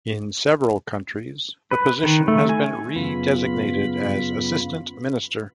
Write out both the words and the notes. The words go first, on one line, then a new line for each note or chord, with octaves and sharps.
In several countries the position has been re-designated as assistant minister.
B4
D#3
A3
G#5
F#2 C#3 B3 F4 B5